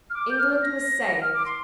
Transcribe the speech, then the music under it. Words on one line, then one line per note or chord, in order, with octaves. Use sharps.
England was saved.
F6
D6
G6
F6
A#6
F6
D6
C6